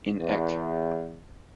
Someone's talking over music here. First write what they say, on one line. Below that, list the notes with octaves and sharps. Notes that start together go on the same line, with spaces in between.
In Eq.
E2